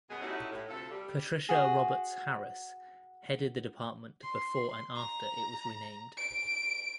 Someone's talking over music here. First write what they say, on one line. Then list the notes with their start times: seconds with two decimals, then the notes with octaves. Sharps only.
Patricia Roberts Harris headed the department before and after it was renamed.
0.10 F#2 B2 G#3 B3 G#4
0.22 G3 A3 C#4 D#4 E4 F#4
0.51 A2
0.69 D2 C3 F4 A4
0.91 G3
1.49 F#4 G#4
4.23 C6
4.96 A#5
6.17 D7